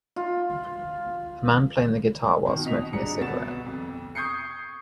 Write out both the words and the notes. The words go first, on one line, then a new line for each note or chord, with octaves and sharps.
A man playing the guitar while smoking a cigarette.
F4
B2 D#3
B2 D#5 B6 F7
D#1 D4 G#4 A#5 C#7
B1 B2 B3 A6 E7
F2
C#6 D#6 G6 G#6 C7 C#7